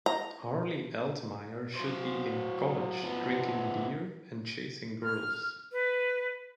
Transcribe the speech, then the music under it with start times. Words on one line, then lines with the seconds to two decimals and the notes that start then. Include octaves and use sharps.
Harley Altmyer should be in college drinking beer and chasing girls.
0.06 A#5
1.75 F#3 C5
3.04 F3 B3
5.03 F6
5.72 B4